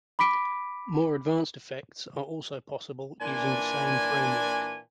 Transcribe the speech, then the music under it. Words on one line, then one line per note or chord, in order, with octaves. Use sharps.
More advanced effects are also possible using the same framework.
B5 D6 B6 D7
A#2 E3 D4 G#5